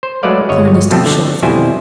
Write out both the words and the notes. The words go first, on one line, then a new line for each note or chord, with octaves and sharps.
Clorinda stopped short suddenly.
C5
F#3 G#3 A3 B4 D5 F5
G1 C#5 D#5
B2 F3 A3 C4 A4
D3
F2 B2 G3 E4 C5 G#5